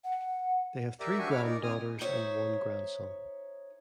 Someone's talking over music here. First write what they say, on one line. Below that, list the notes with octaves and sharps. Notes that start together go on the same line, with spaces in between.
They have three granddaughters, and one grandson.
F#5
G4 A#4 D5 E5
D4 F#4 G4 E5 G#5 C#6
C#5 B5 D6 F6
D#4 A#4 D5
C4 G#5 D#6 F6
D#4 G#4 C5 C#5 E5